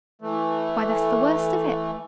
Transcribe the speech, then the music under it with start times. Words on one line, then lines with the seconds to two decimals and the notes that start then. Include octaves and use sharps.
'Why, that's the worst of it.
0.22 E3 A3